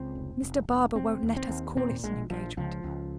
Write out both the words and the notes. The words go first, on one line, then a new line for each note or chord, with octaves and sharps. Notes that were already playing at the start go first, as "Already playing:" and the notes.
Mr. Barbour won't let us call it an engagement.
Already playing: C#2 C4
F1
F1
F1
F1 C4
D#2
C4
D#2
A#2 C4
A#1 G#3
A#1 F3
C#2 F3
C#2